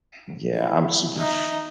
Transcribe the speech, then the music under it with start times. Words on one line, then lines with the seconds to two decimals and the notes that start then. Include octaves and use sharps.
yeah, I'm super f
0.55 E4
1.17 D#4 E5